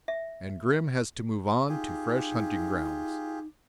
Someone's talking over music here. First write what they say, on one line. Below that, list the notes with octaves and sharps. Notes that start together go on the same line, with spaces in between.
And Grim has to move on to fresh hunting-grounds.
E5
D#4 F4 G4 G#4